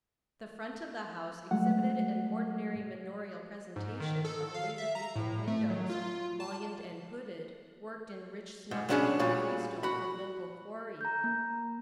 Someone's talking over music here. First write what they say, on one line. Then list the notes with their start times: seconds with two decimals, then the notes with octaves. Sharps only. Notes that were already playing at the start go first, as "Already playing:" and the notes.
The front of the house exhibited an ordinary manorial presentation of Elizabethan windows, mullioned and hooded, worked in rich snuff-colored freestone from local quarries.
1.51 F#3 G#3 A3 F#5
3.76 G#2
4.00 D#3
4.25 A4
4.54 F5
4.78 E5
4.95 A#5
5.15 A2
5.47 A3
5.70 F#3
5.90 F4
6.40 A5
8.71 G#2
8.89 F#3 B3 C#4 D4 G4 G#4
9.19 A#2 G3 F#4 G#4 C#5
9.83 F#4 B5
11.01 A#5 G6
11.24 A#3